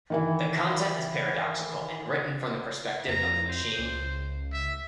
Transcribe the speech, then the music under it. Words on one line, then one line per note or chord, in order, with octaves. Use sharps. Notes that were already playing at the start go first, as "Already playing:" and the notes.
The content is paradoxical and written from the perspective of the machine.
D#3 E3 E4
F2 A#5
C5
C#2
E5